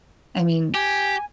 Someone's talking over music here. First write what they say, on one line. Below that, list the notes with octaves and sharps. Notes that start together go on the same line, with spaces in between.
I mean,
G4 G#5